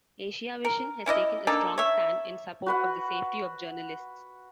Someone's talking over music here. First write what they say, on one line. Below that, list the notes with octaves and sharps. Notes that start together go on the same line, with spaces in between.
Asiavision has taken a strong stand in support of the safety of journalists.
A#4
C#4 E4 D5 D#5
A#3 D4 D#4 A4
C#5 E5
F#4 B4 F#5